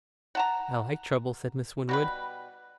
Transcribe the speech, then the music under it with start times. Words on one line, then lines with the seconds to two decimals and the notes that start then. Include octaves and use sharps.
"I like trouble," said Miss Winwood.
0.35 F#5 A5 A#5
1.89 B2 G3 B4